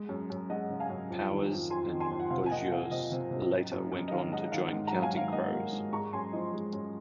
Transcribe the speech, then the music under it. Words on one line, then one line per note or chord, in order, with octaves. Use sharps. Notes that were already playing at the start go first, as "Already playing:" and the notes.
Powers and Bogios later went on to join Counting Crows.
Already playing: G#3
F#2
F#2
G#3 D#5 F#5
C#3
F5 G#5
F#2
F2
D#3
F2
F2 G#5 C6
D#3
G#5 C6
F2
F#5
C3 F5
G#5
A#3 D#5 F#5
C3 F5
C3 D#5
C3
C3
F#2
F#2
F#2
D#5
D#3 F5
G#3 D#5 F#5
F#5
D#3 F5
G#2
F#5 A#5
F#3
F5 G#5
D#3 F5
A#3 D#5 F#5
A#3
G#2
G#3 A#5 C#6
F#2 G#5 C6
F3 D#5
G#3
F#2